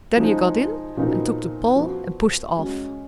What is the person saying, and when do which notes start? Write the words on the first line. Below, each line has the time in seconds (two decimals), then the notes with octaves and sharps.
Then he got in and took the pole and pushed off.
0.17 F3 G#3 D#4
0.97 A#2 F3 B3 D#4 F#4
1.76 F3 B3 F#4
2.56 G#3 C#4 F#4